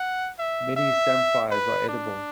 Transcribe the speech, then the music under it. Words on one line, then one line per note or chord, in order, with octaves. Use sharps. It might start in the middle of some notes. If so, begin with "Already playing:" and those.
Many samphires are edible.
Already playing: F#5
E5
E5
B4
D4